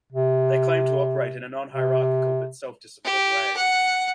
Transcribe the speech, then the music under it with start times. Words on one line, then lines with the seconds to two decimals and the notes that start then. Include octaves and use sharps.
They claim to operate in a "non-hierarchical but self-disciplined way".
0.12 C3
1.73 C3
3.04 G4
3.57 F#5